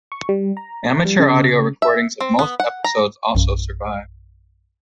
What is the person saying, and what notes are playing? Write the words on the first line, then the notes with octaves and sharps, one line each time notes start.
Amateur audio recordings of most episodes also survive.
C#6
G3
A#5
G3
C#3
E5
C4
B3
F#5
A#5
A#1 F#2